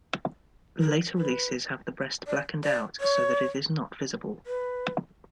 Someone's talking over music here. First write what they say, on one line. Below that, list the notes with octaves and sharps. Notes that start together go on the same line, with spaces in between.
Later releases have the breast blacked out so that it is not visible.
A#4
B4
D5
D5
C#5
B4